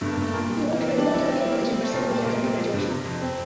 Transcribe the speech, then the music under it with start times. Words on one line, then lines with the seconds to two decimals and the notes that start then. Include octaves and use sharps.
He worked for the "Philadelphia Bulletin" for several years after graduation.
0.01 G2 A3
0.12 A#3
0.17 G2
0.22 A3
0.33 A#2 A#3
0.49 G3
0.65 E3
0.76 C4
0.81 E3 A#3
0.97 G3 D4
1.14 G3 E4
1.29 G3 C4
1.40 E4
1.45 G3
1.50 A#3
1.61 G3
1.72 C4
1.77 G3
1.83 A3
1.93 A#2
2.09 G3
2.25 A#2 A#3
2.41 G3 C4
2.57 F3
2.74 G2
2.89 C3
3.05 F2
3.21 C4